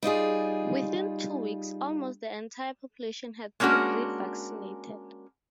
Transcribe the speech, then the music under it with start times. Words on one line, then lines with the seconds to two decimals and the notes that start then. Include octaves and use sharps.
Within two weeks, almost the entire population had been re-vaccinated.
0.03 G3 D#4 F4 G#4
3.60 G#3 A#3 C#4 D4 F#4